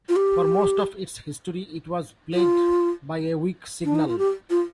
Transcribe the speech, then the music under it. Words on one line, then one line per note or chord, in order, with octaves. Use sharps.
For most of its history, it was plagued by a weak signal.
F4
G4
F4
D4
D#4
F4
G4
F4